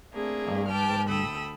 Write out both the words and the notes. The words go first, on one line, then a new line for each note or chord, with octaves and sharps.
um, when
A3 A#3 C4 D4 G#4
B4 G5 A5 D6 F6
D2 A4 G5 B5 D#6 E6